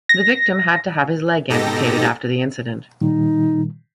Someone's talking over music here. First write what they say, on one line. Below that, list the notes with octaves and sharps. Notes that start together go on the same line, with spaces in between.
The victim had to have his leg amputated after the incident.
A#6
G#2 B2 D#4 G4 A4 A#6
A#2 D#3 G3 D#4